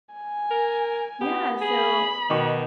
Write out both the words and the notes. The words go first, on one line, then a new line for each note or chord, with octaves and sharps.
Yeah, so
G#5
A#4
B3 G4
G#4 B5
B2 D#3 G4 C#6